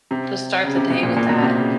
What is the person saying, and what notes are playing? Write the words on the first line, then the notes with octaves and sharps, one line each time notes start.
to start the day with that,
C3
C#3
C3
B2
A#2
A#2
B2
C3
C#3